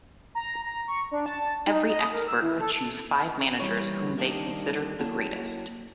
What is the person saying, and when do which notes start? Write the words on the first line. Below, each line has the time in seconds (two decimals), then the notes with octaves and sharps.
Every expert could choose five managers whom they considered the greatest.
0.35 A#5
0.64 A#5
0.88 C#6
1.11 D4
1.26 A5
1.66 D#4
1.89 D#5
2.13 A#4
2.28 E6
2.42 E3
2.60 A4
3.60 E3 G3 C#5
4.18 D#3 G3 A#3 D4
5.00 F#3 A#3 E4 A5